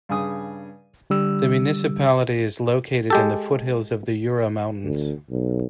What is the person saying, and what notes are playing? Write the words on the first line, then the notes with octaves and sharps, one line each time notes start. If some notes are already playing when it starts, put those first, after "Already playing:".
The municipality is located in the foothills of the Jura Mountains.
G2 C#3 G#4 G#5 D#6
D3 G3 E6
G#3 G4 A4
D2
B1